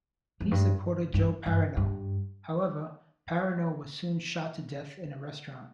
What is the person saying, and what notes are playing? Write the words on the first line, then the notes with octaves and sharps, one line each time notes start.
He supported Joe Parrino; however, Parrino was soon shot to death in a restaurant.
F2
G2
G2
G2
G2